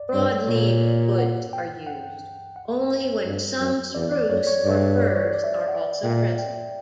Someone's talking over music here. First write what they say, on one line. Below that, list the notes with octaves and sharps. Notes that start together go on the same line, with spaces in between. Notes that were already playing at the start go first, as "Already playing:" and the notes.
Broad-leaved woods are used, only when some spruce or firs are also present.
Already playing: D5
G2 C#5
A#2 C#5
F#5
G5
F#5
F#5
G2
F#2
E2 D5
D5
F#2 C#5
C#5
G2 D5
C#5
D5
C#5
D5
E5
D5
F#5
A#2 G5
G5